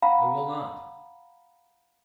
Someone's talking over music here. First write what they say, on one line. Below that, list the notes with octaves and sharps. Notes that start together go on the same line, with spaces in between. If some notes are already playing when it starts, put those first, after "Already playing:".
"I will not."
F5 F#5 A#5 B5